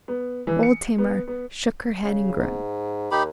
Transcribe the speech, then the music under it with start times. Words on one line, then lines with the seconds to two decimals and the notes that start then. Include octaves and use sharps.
Old Tamar shook her head and groaned.
0.08 B3
0.47 E3
0.63 C#7
0.98 B3
1.28 B3
2.04 C#3
2.39 G#2
3.11 D#2 D#4 G4 B5